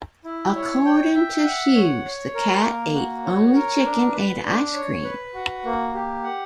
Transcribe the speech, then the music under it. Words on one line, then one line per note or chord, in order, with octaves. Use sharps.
According to Hughes, the cat ate only chicken and ice cream.
E4
C#5
G5
E5
F#5
C#5
C#5
A#4
A#3
F#4
C#5
A#4
D4
B4
D4
C#5
B4
F#4
A#3
G4
F#5